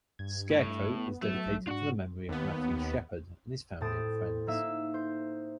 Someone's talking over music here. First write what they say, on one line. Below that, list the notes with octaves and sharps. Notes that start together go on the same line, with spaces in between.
"Scarecrow" is dedicated to the memory of Matthew Shepard, and his family and friends.
G2 G#6
A2
B3
F#3 A3
A#1
G#2 D4 F4 F#4
D#2 B3
A2 C4 A5 D#6 D7
A#3 D#4 E5
C5